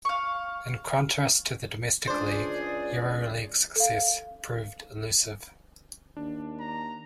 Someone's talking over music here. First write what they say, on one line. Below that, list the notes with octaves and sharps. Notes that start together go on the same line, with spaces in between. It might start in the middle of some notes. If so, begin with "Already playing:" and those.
In contrast to the domestic league, EuroLeague success proved elusive.
F5 C#6
C#2 D4 G#4 C5 D5
A4 F5
D#2 D4
A#5